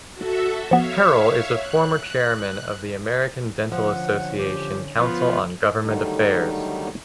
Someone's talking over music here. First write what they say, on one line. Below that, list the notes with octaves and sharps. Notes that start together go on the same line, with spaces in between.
Harrell is a former chairman of the American Dental Association Council on Governmental Affairs.
F#4 A4 E5
F3 B3 C#5 E5 F5
F#6
D3 F3 C#4 F#5
G4
F3 B3 F4
D3 D#3 F#3 G3 A3 D#4